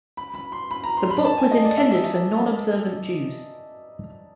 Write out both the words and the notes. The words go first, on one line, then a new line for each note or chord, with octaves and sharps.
The book was intended for nonobservant Jews.
B5
B5
C6
B5
A#5
C6
B5
A5
G#5
D#5
D5
E5
E5
E5